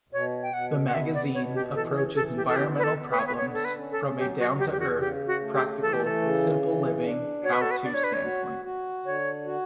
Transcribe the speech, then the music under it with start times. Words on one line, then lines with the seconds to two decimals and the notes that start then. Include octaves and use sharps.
The magazine approaches environmental problems from a down-to-earth, practical, simple living, how-to standpoint.
0.13 B2 C#5
0.43 G5
0.53 B2 F#5
0.87 F#5
0.94 B3 E5
1.14 D5
1.34 B2 C#5
1.55 G4
1.75 E3 A4
1.95 C#5
2.15 E3 A4
2.36 G4
2.48 A4
2.56 B3 G4
2.79 B4
2.84 A4
2.97 B3
3.11 B4
3.19 C#5
3.27 B4
3.38 D3 C#5
3.54 A4
3.65 B4
3.78 C#4
3.91 A4
4.18 F#3 G4
4.39 F#4
4.59 E2 G4
4.72 G4
4.80 F#4
4.99 C#3 G4
5.27 F#4
5.41 A3
5.54 G4
5.82 E3 A4
5.93 G4
6.05 A4
6.21 C#3
6.62 E3
7.02 D4
7.43 F#4 C#5
7.53 B4
7.62 A4
7.71 B4
7.83 D4 D5
7.94 C#5
8.04 B4
8.13 C#5
8.24 F#4
8.65 F#4
9.05 D3 C#5
9.46 F#4